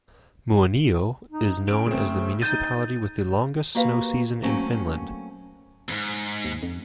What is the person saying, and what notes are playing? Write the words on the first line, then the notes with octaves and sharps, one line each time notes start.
Muonio is known as the municipality with the longest snow season in Finland.
D#4
C#4 D7
C#3 A3 C4
D#4 G6 A6 D#7
A#3 F#4 G4 B4 F5
F#3 A3 A#3 C4 C#4
F2 G#2
D#2
F2